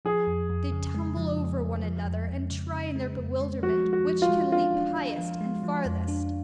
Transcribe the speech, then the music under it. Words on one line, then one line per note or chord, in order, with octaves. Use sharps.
They tumble over one another and try in their bewilderment which can leap highest and farthest.
F3 G#4
F2
F2
C#3
G#3
F3
F2
F2
F3
F2
F2
C#3
C#3
G#3
F2
G#3
F3 F#4
G#3
F#4
F3
F4
G#3
D4 F4
D4
D4
F3
G#3
F3
F2
D4